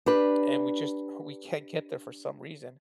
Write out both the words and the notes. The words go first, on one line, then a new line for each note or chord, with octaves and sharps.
and we just hu we can't get there for some reason.
D4 G4 B4